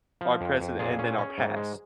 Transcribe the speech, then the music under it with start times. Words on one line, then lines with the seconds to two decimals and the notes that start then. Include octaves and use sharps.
our present and then our past.
0.21 F3
0.41 F2
0.60 F2
0.79 A#2 G#4
0.99 C#4
1.18 C#4
1.38 G#2
1.56 G#3